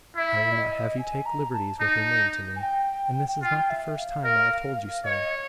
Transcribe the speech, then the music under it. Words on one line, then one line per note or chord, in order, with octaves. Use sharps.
I will not have you take liberties with her name to me; and this is not the first time I have told you so.
E4 E5
D5
D#5
G#5
A#5
A5
D#4
G#5
G5
F4 G5
E5
F5
A#4
C#5 D#5